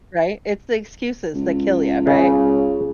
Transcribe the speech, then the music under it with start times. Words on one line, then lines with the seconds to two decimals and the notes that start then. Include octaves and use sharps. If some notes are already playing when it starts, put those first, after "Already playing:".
right? It's the excuses that kill you, right?
1.35 C#2
2.07 C#3